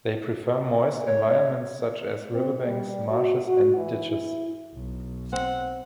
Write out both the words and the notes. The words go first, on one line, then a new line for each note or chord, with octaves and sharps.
They prefer moist environments such as riverbanks, marshes and ditches.
C#5
C4
G3
F#4
F#4
E3
E4
B1
C4 F#5